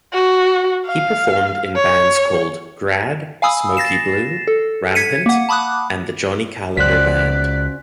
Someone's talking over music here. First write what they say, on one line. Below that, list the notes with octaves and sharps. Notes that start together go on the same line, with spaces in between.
He performed in bands called Grad, Smokey Blue, Rampant, and the Johnny Kalendar Band.
F#4
F5
C#5
F5 G#5 B5 D#6 E6
A6 A#6 C7 E7
A4
G#6 B6 C#7 D#7
A#3 F#5
A5 B5 D6 D#6 F#6
C#2 C#4 F#4 C5 D5 F#6 B6